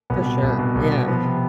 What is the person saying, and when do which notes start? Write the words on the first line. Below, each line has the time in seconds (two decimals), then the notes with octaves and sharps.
For sure, yeah, m
0.10 C2 B3
0.26 B2
0.43 C2
0.59 B2
0.75 C2
0.91 B2
1.08 F3 B3
1.24 C3